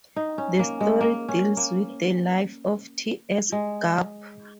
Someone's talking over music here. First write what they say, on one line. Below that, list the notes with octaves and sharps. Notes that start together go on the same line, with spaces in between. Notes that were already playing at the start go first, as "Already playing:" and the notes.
The story deals with the life of T. S. Garp.
D#4
C#4
A#3
G#3
A#3
C#4
A#3
G#3